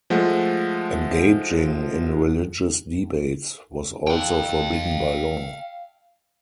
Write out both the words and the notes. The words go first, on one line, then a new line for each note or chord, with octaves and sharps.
Engaging in religious debates was also forbidden by law.
F3 G#3 A3 F#5
F5 G5